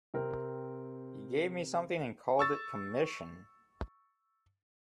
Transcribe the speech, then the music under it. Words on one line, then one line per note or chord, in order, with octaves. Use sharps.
He gave me something and called it commission.
C3 C4 A#4
C#6 E6 A6